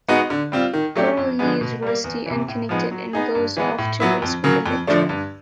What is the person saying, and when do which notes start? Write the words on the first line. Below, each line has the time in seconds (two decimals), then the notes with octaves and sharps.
Pearl leaves Rusty unconnected and goes off to race with Electra.
0.08 G#3 B3 D#4 F#4
0.30 D3
0.52 G3 C4 F4
0.73 D#3
0.95 F#3 A3 D4 G4
1.17 F2
1.39 D3 F3 G#3 B3
1.61 B2
1.82 G3 A#3
2.04 E2
2.26 C3 E3
2.48 A2
2.69 F3 G#3 B3 D#4
2.91 F#3
3.13 B3 D#4 G#4
3.35 G2
3.57 E3 G#3 B3
3.78 A2
4.00 F#3 B3 E4
4.22 F2
4.44 C#3 F#3 A#3
4.66 F2
4.87 D3 F3 A3 D4
5.09 G2